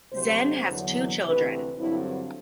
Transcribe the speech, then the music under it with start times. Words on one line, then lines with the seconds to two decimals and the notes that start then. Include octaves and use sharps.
Zen has two children.
0.12 D2 C3 F#3 C5
0.68 E2 D3 F#3
1.23 D2 C3 E3 B4
1.78 G2 D3 F#3 C4 E4